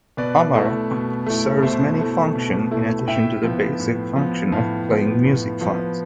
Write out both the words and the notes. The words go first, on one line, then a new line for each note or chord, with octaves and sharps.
Amarok serves many functions in addition to the basic function of playing music files.
B2 B4 D5
A3 E4
B2
A3 E4
B2 C5 E5
A3 E4
B2
A3 E4
A2 E5 G5
F3 B3
A2
F3 B3
A2 F5 A5
F3 B3
A2
F3 B3